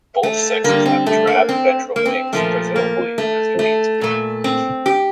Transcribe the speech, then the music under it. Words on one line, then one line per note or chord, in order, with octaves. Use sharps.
Both sexes have drab ventral wings, presumably as a means of camouflage.
A3
D3 G3 A#3
C4
A3
A#3
C4
A#3
C4
A#2 F3 A3 A#3
A#3
A3
A3
A#2 A3
C4
G4